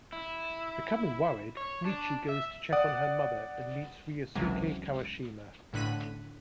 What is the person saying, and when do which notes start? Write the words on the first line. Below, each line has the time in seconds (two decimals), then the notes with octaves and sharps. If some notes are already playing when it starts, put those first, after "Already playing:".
Becoming worried, Michi goes to check on her mother and meets Ryosuke Kawashima.
0.13 E4
1.57 C#5
1.85 D4
2.29 E5
2.72 D5 F#5 D#6
4.35 G#1 C#2 C3 E3 F#3 G#3
5.73 A1 A2 D3 F#6 B6 D#7